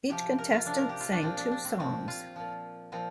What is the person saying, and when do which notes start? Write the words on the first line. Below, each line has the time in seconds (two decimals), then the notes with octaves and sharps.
Each contestant sang two songs.
0.09 C3 F3 G4
0.38 A#4
0.52 F4
0.66 C3 F3 D4
0.78 A#4
0.89 G4
1.00 F4
1.12 D4
1.23 A#2 F3 C4
1.37 D4
1.51 D4
1.65 C4
1.79 A#2 F3 C4
2.08 F4
2.36 A#2 F3
2.92 A#2 F3 C4